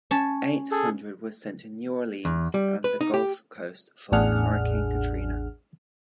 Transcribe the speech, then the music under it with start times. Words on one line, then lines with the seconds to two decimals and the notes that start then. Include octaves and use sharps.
Eight hundred were sent to New Orleans and the Gulf Coast following Hurricane Katrina.
0.11 C#4 A5
0.71 G#4 A4
2.25 E2
2.54 G3
2.84 B4
3.01 D#4
3.14 G4
4.12 A1 E2 D4 G#4 F#5 F6